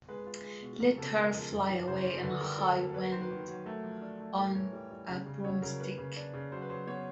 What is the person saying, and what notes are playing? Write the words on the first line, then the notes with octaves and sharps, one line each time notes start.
Let her fly away in a high wind on a broomstick!
G#3 B4
F4
G#3
B2
F3 A#4
C#3 A4
G#3 A#4
F3
F#2
E3
C#3 C5
E3
D3 B4
G3 A#4
G3 A4
A#3 A#4
F#3 B4
A#4
D#3 C5
B4
D#3
F#3
A3 A#4
F3
D4
A3
A2 A#4
E3 C#5
G3
G3
C#3
C#3
F#3 C#5
C#3 A#4
A#3 B4
C#3
D4
C#3
F#3 C5
B4
F#3 C5
B3 C#5